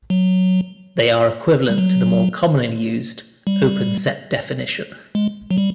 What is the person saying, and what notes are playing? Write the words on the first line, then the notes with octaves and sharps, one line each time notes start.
They are equivalent to the more commonly used open set definition.
F#3
G3
F#3
G3
G#3
F#3
G3